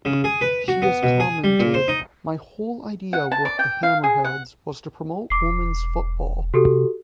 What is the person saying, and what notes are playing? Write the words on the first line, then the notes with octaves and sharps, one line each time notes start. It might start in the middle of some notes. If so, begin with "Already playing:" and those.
She has commented, My whole idea with the Hammerheads was to promote women's football.
C#3
G#4
B4
F#4
B3
B2
G#4
G3
A#2
C5
D#4
F#5
A5
D5
G5
F5
G#4
F#5
E1 D6 C7
C3 F#4 G4 A4